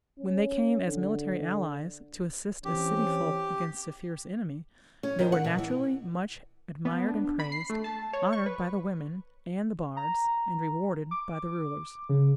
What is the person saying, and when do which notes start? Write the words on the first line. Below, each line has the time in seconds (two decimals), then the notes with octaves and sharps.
When they came as military allies to assist a city folk against a fierce enemy, they were naturally much admired and praised, honoured by the women and the bards, and rewarded by the rulers.
0.19 C#4
0.86 D3
2.65 E3 C4 C#4 G4
5.03 C#4
5.19 D#3
5.32 F#5
5.44 B2
5.58 E3
6.85 B3
7.08 D4
7.40 B5
7.52 C7
7.70 A3
7.84 A5
8.13 C#5
8.33 C#6
8.46 B4
9.97 A#5
11.11 D6
12.09 C#3